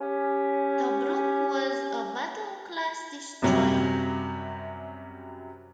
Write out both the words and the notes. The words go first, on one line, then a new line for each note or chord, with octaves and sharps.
"Tobruk" was a Battle class destroyer.
C#4 G4
F#2 C3 F#3 G3